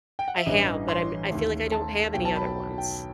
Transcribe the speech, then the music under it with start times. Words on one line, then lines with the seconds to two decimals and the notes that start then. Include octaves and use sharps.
I have, but I'm I feel like I don't have any other ones,
0.19 G5
0.28 F#5
0.37 E5
0.46 A1 G2 E3 G3 D#5
0.88 C6
1.30 D#2 D#3 A3
1.72 A5
2.14 B1 B2 F#3 G5
2.25 A5
2.36 B5
2.46 B5
2.78 G5